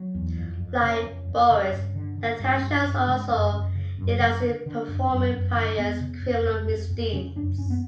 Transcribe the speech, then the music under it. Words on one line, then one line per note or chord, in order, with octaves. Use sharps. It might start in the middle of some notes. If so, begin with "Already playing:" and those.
Like Boris, Natasha also delights in performing various criminal misdeeds.
Already playing: F#3
E2
F2
F2
C#3
F2
F2
C#3
G2
D3
D3
G2
G2
G2
C#3 G#3
F#2
F#2
C#3
F#2
C#3
D3
D3
F#2
F#2
F#2
D3
F2 B3
C#3
F2
F2
F2
F2
C#3 C#4
F#2 D4
F#2 C#4
B3